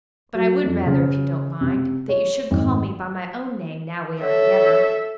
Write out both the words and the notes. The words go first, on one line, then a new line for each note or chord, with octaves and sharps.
But I would rather, if you don't mind, that you should call me by my own name now we are together.
F#3
F2
C#3
C3
C#5
G#1
A4 C#5 E5